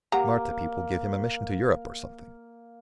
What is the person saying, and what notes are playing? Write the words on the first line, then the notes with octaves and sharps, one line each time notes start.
Marta people give him a mission to Europe, or something?
A#3 G4 F#5 A#5